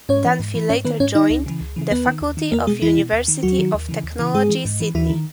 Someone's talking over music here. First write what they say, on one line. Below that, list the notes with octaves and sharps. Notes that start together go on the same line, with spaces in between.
Dunphy later joined the faculty of University of Technology Sydney.
G#2 C#4 C#5
E3
G#2
E3
G#2 C#4 C#5
D#3 B3 B4
G#2 C#4 C#5
D#3 D#4 D#5
C#2
C#3 E3
C#2
C#3 E3
D#2 B3 B4
D#3
D#2
D#3
E2 A#3 A#4
B2 G#3 G#4
E2 E3 E4
B2
D#2
D#3
D#2 F#3 F#4
D#3
D#2
C#3 E3
D#2
C#3 E3
G#2 G#3 G#4
E3
G#2
E3
D#2 E3 E4
D#3